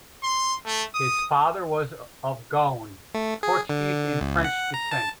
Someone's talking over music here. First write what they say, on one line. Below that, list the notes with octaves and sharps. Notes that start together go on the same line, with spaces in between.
His father was of Goan, Portuguese and French descent.
C6
A3
D#6
A3
G#4
D3
C#2
F#5
A#5
A5